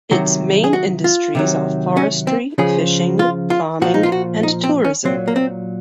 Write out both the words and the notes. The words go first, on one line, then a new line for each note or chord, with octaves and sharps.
Its main industries are forestry, fishing, farming, and tourism.
C3 D#3 F#3 F#4
G#4
F#4
F4
C3 D#3 F#3
C#4
C4
C#3 F3 G#4
F4
F4
A#2 F3 F#4
D#4
F4
F#4
D#4
C4
C#4
A#2 F#3 C4
A#3
C4